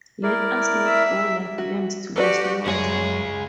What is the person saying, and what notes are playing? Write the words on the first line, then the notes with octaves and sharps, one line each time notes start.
Let us not go like lambs to the slaughter!
E4 A#4 D5
E5
F#4
F#4 G4 A4 B4 D5
C#2 F#2 G#3 G#4 C#5